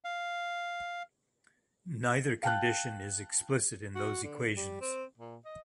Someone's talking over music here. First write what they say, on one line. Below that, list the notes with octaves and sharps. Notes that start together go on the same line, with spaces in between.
Neither condition is explicit in those equations.
F5
F5 G5 A5 F#6
F#4
D3
G3
C4
A#2
D#5